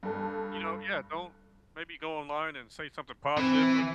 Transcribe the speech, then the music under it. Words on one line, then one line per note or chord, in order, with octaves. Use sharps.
You know, yeah, don't maybe go online, and say something positive, but
G2 A4
E3 C4